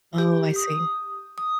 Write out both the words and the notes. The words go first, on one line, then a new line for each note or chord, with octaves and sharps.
Oh, I see.
G4
D#6
D#6